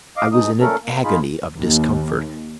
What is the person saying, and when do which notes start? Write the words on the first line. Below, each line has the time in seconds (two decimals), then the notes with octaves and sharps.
'I was in an agony of discomfort.
0.17 D#5 F5 D6
0.33 B2 G#3 D#4 D#6
0.60 A#2 A3 C#4 A4 A#4
0.83 A#3
1.04 D#4 F4 G#4 B5
1.57 D#2